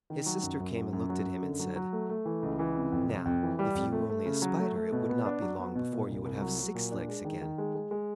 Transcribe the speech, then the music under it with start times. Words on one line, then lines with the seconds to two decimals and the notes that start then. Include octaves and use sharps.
His sister came and looked at him and said, "Now if you were only a Spider it would not be long before you would have six legs again."
0.10 D#3
0.26 F#3
0.43 F#2
0.60 F#2
0.76 F#3
0.93 F#2
1.10 F#3
1.26 F#2
1.42 D3
1.60 F#3
1.76 F#3
1.93 A3
2.10 A3
2.25 E3
2.43 C#2
2.59 E3
2.76 C3
2.92 F2
3.09 C3
3.25 F2
3.43 E3
3.59 G3
3.75 F2
3.93 A3
4.09 A3
4.26 C#3
4.42 F#3
4.59 A3
4.76 A3
4.92 B2
5.09 B3
5.26 D4
5.42 F#3
5.59 B3
5.75 B2
5.92 A#2
6.09 C2
6.25 C2
6.41 F#3
6.59 F#3
6.75 A#2
6.92 D4
7.08 G#3
7.25 D#3
7.41 D#3
7.58 G#3
7.75 G#3
7.91 G#3